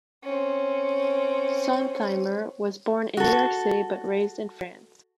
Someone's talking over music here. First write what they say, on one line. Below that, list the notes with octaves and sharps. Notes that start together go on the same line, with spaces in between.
Sontheimer was born in New York City but raised in France.
C4 C#4
F#4 A4